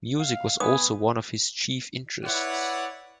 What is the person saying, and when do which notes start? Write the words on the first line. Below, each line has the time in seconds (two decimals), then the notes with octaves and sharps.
Music was also one of his chief interests.
0.20 F5
0.60 B3 G#5 D#6
2.25 E4 B4 C#5 D5 F#5